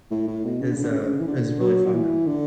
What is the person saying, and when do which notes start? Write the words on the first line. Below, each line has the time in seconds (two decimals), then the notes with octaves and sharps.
is, uh, is really fun though.
0.11 A2
0.27 A2
0.44 B2
0.60 C#3
0.68 D3
0.76 C#3
0.84 D3
0.91 C#3
0.99 D3
1.07 C#3
1.19 E3
1.27 D3
1.60 F#3
1.86 F#3
1.94 E3
2.26 D3